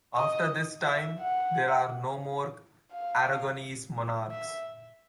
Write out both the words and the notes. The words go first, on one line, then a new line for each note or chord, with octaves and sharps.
After this time, there are no more Aragonese monarchs.
D#5
E5
F#5
F5
E5